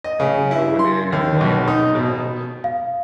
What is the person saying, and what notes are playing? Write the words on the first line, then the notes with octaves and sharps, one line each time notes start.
people going in and playing themselves,
D#5
C#3
E4
C6
D#2
B1
D#4
B2
F5